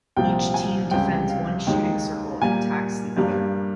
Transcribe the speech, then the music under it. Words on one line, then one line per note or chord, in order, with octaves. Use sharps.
Each team defends one shooting circle and attacks the other.
C2 A#2 F3 G5
G#5
C#2 C3 G3 G5
F5
D#2 D#3 G#3 G5
A#2 G3 A#3 G#5
G2 G3 A#3